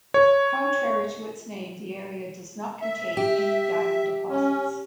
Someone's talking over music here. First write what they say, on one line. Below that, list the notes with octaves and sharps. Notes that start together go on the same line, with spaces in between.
Contrary to its name, the area does not contain any diamond deposits.
C#5
E5
G4
C#4